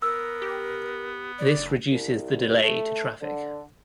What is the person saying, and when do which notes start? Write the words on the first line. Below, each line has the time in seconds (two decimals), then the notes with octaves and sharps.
This reduces the delay to traffic.
0.02 B3 A#4 E6
0.42 G4
1.39 D5
1.57 F#1
1.91 C2
2.62 A3
3.21 D3